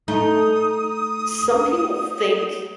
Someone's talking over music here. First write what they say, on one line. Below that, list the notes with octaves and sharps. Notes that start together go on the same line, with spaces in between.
some people think
A3 D#4 D#6